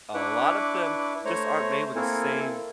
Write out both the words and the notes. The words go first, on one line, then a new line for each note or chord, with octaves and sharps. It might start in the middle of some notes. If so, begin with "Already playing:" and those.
a lot of them just aren't made with the same
D4 E4 B4 C#6 D6 F#6
A3 C5 C#5 A#5 C#6
A#3 C4 E4 A4 A#4 G#5